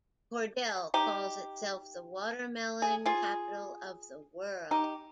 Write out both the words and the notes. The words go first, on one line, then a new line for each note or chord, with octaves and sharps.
Cordele calls itself the Watermelon Capital of the World.
D#4 G4
G#4
F4 G#4
D#4 G4